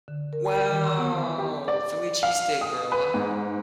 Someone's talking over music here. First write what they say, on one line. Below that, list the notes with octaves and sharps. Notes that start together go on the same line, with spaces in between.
Wow! Philly cheesesteak girl, huh?
D3
A#4
D#3
C6
B3
G4
D5
F5
D#6
B4
G#2